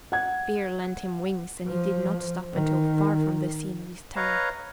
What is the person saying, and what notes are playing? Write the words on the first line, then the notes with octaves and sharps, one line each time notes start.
Fear lent him wings and he did not stop until far from the scene of his terror.
F#5 G#6
F3
D#3
B4 C#5 D#5 F5 A#5